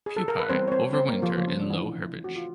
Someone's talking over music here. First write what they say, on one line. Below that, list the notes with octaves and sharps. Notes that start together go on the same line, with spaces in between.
Pupae overwinter in low herbage.
G#4
A4
A#4
B4
E3 G3 B3 C4 C5
C#5
C4 C5
C4 C5
A#3 A#4
F3 F4
C#3 F3 A3 C#4 F4
C#4
D4
E3 E4
F3 A3 C4 F#4
F4